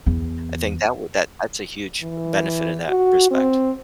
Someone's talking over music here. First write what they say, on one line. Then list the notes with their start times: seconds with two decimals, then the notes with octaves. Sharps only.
I think that would that that's a huge benefit in that respect.
0.06 E2
2.03 E3
2.89 F#4
3.31 C4